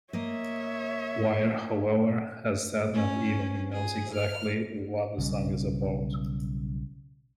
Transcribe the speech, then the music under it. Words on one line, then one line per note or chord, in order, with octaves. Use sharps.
Wire, however, has said not even he knows exactly what the song is about.
A#3 C#5 D#5 E5
C#4
G#4
F6
B1 C#3 G3